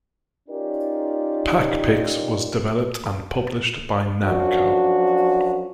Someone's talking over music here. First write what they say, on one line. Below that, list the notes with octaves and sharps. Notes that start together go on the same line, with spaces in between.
"Pac-Pix" was developed and published by Namco.
C#4 D#4 F4 G4 A#4 D5
F#2 F3 D4 F#4